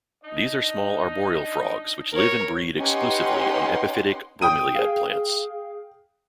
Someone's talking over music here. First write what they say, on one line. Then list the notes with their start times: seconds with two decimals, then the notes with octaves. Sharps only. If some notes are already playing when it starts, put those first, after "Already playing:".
These are small arboreal frogs which live and breed exclusively on epiphytic bromeliad plants.
0.24 D4 D#4 D#5
2.12 A#4 C#5
2.79 C#4 D#4 G4 B4 F#5 C6
4.42 G5 D#6 D#7
4.75 G#4 F5